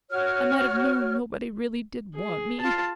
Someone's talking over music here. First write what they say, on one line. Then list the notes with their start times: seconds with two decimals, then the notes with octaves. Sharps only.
I might have known nobody really did want me.
0.11 F#4 C#5 F6
2.15 G#4
2.60 F4 A5